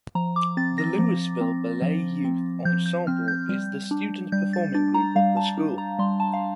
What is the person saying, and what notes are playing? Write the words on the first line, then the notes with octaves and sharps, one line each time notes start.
The Louisville Ballet Youth Ensemble is the student performing group of the School.
F3 A#5
D6
C4 A6
A#6
F3
C4
F3
C4
F3 G6
G6
C4 F6
G6
G3
D4
G3 G6
A6
D4 A6
A#5
G3 F5
A5
D4
A#5
G3 C6
A5
F5